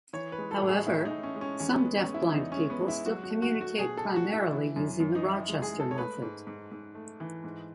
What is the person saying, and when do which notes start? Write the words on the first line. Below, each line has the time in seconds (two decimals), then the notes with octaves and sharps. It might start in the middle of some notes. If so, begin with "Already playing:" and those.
However, some deafblind people still communicate primarily using the Rochester Method.
0.13 E3 C#5
0.32 B4
0.38 G#3
0.51 A4
0.62 A2
0.69 G#4
0.87 A2 E4
1.05 D#4
1.11 A2
1.23 C#4
1.36 G#3
1.41 C#4
1.60 E2 C#4
1.78 B3
1.84 G#3
1.97 C#4
2.08 G#3
2.14 E4
2.33 E2 D#4
2.52 G#3 C#4
2.70 B3
2.81 G#3
2.88 E4
3.06 F#3 F#4
3.24 F#4
3.30 A3
3.42 F#4
3.55 A3
3.61 F#4
3.78 B2 G#4
3.97 A4
4.03 A3
4.16 F#4
4.27 A3
4.33 E4
4.52 E3
4.76 F#2
5.00 F#2
5.15 D#4
5.24 E3 E4
5.49 G#3
5.62 G#4
5.73 G#3
5.80 A4
5.91 C#5
5.98 A3 B4
6.22 G#2
6.47 G#2
6.71 G#2
6.95 A3
7.20 E3
7.44 G#2